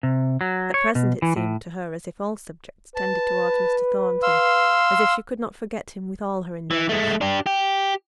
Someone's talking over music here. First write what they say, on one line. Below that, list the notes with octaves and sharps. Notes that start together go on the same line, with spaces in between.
At present it seemed to her as if all subjects tended towards Mr. Thornton; as if she could not forget him with all her endeavours.
C3
F#3
C#5
B2
E3
A2
B4 A5
F5 C6 E6
E3
G#3 A3
D4 G4
G4